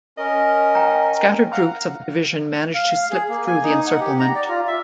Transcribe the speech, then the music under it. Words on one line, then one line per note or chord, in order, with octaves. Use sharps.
Scattered groups of the division managed to slip through the encirclement.
C#4 A#4 D#5
G5 A#5
F5 F#5 A#5
F5
F5
G#4
A#3
G#5
D#4
F#5
G4
A#5
D5
F4
E5